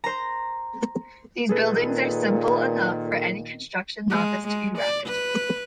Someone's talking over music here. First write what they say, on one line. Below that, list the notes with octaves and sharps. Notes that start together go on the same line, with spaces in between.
These buildings are simple enough for any construction novice to erect.
C5 A#5
A#2 D#3 G#4 A4 B4
G#3
G#3
D5
B4